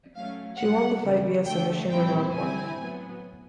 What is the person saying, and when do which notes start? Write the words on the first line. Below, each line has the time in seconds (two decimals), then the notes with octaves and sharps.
She won the fight via submission in round one.
0.15 F#3 A3 C#4 F5
0.59 A#2 G3 B3 F#5
1.03 C#3 E3 G3
1.46 D3 F3 A3 G5
1.90 A#2 G3 C4 E4 G5
2.32 D3 G3 C4 E4 G#5
2.77 A2 F#3 B3